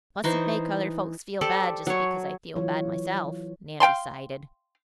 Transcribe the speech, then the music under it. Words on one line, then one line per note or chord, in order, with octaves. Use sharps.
"Mustn't make other folks feel bad just because I feel bad myself," Nan decided.
E3 D#4 C5 C#6
G4 A4 C5 D5
F#3 C#5
E3 F#3 F4 C#5
F5 G5 A5 C6